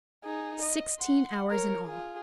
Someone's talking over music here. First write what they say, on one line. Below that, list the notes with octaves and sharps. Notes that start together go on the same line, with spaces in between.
"Sixteen hours in all?"
D#4 G#4
D#5
F#5 C6
A#4 C#5
F4 G#4